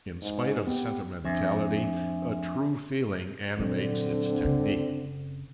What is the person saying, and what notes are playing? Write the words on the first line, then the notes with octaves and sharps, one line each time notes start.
In spite of sentimentality, a true feeling animates its technique.
G#2
B3 G4
F2 D4 E5 G#5
A#2 D3 F#3 C4
F#1 C#3